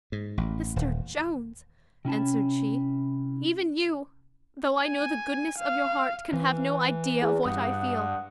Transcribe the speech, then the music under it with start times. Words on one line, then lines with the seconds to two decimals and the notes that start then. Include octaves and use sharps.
Mr Jones," answered she, "even you, though I know the goodness of your heart, can have no idea of what I feel.
0.12 G#2
0.37 A1
0.76 D#1
2.05 C3 C#4 E4 A5
4.84 G#5
5.59 F5
6.33 E3
7.21 E2
7.46 G2 F#5 D#6